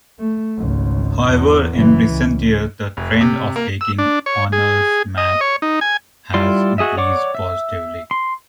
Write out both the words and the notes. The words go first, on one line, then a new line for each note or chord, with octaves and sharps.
However, in recent years the trend of taking honours Maths has increased positively.
A3
G#1 C#2
E2
F#1 E3
C#2
F1
C3
A#3
E6
D4
C#5
G#4
D#5
C#5
D#4
G#5
G3 E4 F4 D5 C6
F#4 G#4 D#5 E5
C#5 D5 F#5 C#6 D6
E5
C6